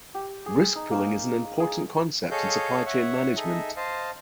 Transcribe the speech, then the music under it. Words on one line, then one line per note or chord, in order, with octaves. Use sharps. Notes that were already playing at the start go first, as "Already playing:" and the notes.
Risk pooling is an important concept in supply chain management.
G4
G#4
D#4
A#3
G#4
G#4 A4 C#5 D#5 F5 G6
C#5 E5 F#5
D#4 G#4 A4 D#5 E5
C5 D#5 F5 A5